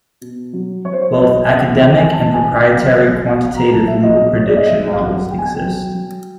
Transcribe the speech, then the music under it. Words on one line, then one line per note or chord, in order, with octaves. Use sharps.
Both academic and proprietary quantitative legal prediction models exist.
B2
F#3
F#3 C#5
C5
C#5
F#3 D#5
C#3 E5
F#5
E3 G5
G#5
E3 A5
G#5
C#3
G5
F#5
F#3 F5
F#3
F5
B2 F#5
A#5
F#3 A5
E5
F#3 D#5
B2 C#5
D5
D#5
F#3 E5
F5
F#3 F#5
B2 G5
G#5
G5
F#3
F#3